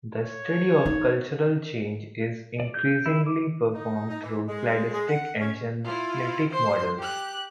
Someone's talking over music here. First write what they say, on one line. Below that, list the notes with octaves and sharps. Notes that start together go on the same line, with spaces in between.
The study of cultural change is increasingly performed through cladistics and genetic models.
C#5
D#4
D5
G6
E4
D6
D#4
D#4
E3
G#3
G#3
F#5
C#4
E4 F4
C5 C6
G4 F#6